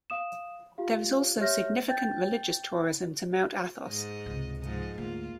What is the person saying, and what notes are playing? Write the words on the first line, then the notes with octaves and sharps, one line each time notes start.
There is also significant religious tourism to Mount Athos.
F5 D#6 E7
F4 G4 F5
G4 C#5 E5 F6 G6 A#6
G5 G6 A6
G#2 D#5
C#2 C3
G#2 F3 D#5
D2 A#3 F4